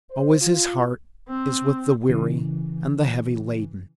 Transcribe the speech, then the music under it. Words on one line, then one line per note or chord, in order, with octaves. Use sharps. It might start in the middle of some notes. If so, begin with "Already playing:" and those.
Always his heart is with the weary and the heavy-laden.
C5
F4
C4
C#3 E3